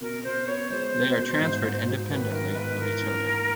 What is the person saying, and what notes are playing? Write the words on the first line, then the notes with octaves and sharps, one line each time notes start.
They are transferred independently of each other.
B2 A#4
B2 C5
B3 C#5
G#3 C5
B2
B2
G#2
G#2
F#3
D#3 B4
G#2 A#4
A#4
G#2 B4
E3 A#4
D4
A#3